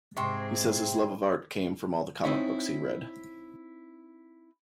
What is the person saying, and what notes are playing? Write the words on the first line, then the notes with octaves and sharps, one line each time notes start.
He says his love of art came from all the comic books he read.
G#2 C3 C4 G#4 C6 C#6
C4 D#4 E4 C#5